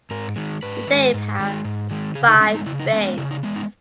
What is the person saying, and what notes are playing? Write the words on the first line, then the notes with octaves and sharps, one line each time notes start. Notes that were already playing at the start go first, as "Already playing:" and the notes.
The nave has five bays.
G#2 A#4
D#3 G#3
G#2 B4
D#3 G#3
G#2
D#3 G#3
G#2
D#3 G#3
C#3 G#4
D#4
G#3 B3 C#4
D#4
C#3 E4
D#4
G#3 B3 C#4
C#4
C#3 E4
D#4
G#3 B3
D#4